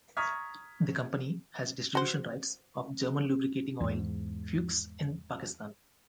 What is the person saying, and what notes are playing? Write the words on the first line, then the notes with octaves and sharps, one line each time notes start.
The company has distribution rights of German lubricating oil Fuchs in Pakistan.
A#5 C#6 D#6 F6 G#6 B6
F#4 C5
E2 G#2